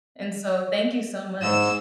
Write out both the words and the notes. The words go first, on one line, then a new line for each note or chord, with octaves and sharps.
And so, thank you so much,
G#2 E6